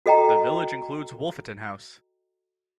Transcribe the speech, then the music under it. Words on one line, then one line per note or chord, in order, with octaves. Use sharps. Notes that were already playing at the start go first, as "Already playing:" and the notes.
The village includes Wolfeton House.
F#4 A4 D#5 G5 A#5